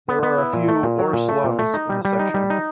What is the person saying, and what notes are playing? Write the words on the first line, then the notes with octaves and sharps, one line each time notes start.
There are a few ', or slums, in the section.
B3
B3
E4
A#2
A3
A#2
F#3
A#2
A3
A#2
A3
D#4
G3
G3
D#4
G3
D#4